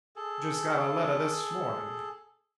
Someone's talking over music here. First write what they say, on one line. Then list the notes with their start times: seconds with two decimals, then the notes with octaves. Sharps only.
'Just got a letter this morning.'
0.16 G#4 A4